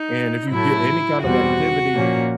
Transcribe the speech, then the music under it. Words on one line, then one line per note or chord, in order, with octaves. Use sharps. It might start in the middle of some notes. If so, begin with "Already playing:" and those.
and if you get any kind of activity
Already playing: D#4
A2 F#3 A3 E4
E2 B2 G3 C4 F#4
A#2 F3 A#3 C#4